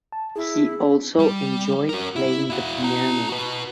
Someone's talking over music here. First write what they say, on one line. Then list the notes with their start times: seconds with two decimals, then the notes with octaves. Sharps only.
He also enjoyed playing the piano.
0.12 A5
0.36 E4 G#4
1.19 G3
1.89 F#4 A#4
2.16 E4
2.50 E4 F#4
2.83 E4 A#5
3.29 F#4 B4